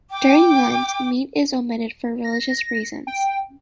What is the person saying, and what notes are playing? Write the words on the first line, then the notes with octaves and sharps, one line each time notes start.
During Lent, meat is omitted for religious reasons.
G5 D6
A#6
G5